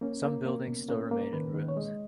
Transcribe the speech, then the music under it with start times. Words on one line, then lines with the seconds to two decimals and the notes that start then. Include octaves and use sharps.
Some buildings still remain in ruins.
0.01 A#3 C#4
0.24 A#3
0.46 A#3
0.68 B2
0.89 A#3 C#4
1.11 A#3
1.33 D#3 B4
1.54 D#3
1.68 C#5
1.77 G#3 D#5